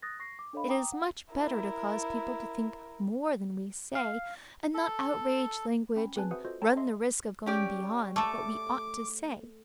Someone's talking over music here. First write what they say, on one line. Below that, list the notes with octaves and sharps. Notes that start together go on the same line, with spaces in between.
It is much better to cause people to think more than we say, and not outrage language, and run the risk of going beyond what we ought to say.
D#6 F#6 A6 A#6
C#6 A#6 C7
D6
D4 A4 C#5 D#5 F5 B5
G5 A#5 D6 D#6
F#5
E4 A#4
F5
A4
C#4 G5 B5
C4 G#4 B4 G#5 A5 F#6
F#4 B4 C5 E5 F#5 D#6
F4 F#4 A4 C5 D#5
A4 C#5 G5 A5 A#5
D#5 E5 C6
C#4 G4 D5
A3 A4 D6